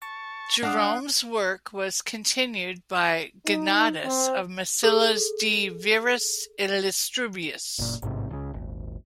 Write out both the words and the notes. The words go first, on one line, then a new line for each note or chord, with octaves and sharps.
Jerome's work was continued by Gennadius of Massilia's "De Viris Illustribus".
A5 C#6
D4 F5 F#5 D6 D#6 F#6 C7
D#4
C4
G#4 A4
F#1 A#2
A1 G#2 C3
C#2 C#3
D#1 G#1